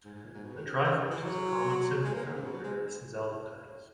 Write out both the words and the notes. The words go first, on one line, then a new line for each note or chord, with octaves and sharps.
The Triforce is a common symbol found in various Zelda titles.
G#2
G#2
A#2
G#2
B2
D#3
C#3
C#3
D#3
E3
F#3
G#3
A#3
D#3
C#3
B2
F#3
G#3